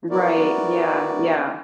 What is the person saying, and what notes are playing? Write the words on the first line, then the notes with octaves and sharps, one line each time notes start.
Right. Yeah. Yeah.
B3 E4 F#4 A#4 D5